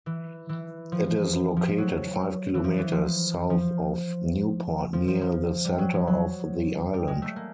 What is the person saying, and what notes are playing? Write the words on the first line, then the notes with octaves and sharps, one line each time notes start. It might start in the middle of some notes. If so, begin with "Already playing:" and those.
It is located five kilometres south of Newport near the centre of the island.
E3
E3
F3
F3
F#3
E3
F3
E3
F3
F3
F3
F3
F3
G3
F#3
F3
F#3
G3
G#3
A3
A#3